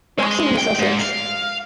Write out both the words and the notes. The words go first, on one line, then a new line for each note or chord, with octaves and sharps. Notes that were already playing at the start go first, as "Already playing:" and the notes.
Locsin and Associates.
G#3
G5
G#2
F5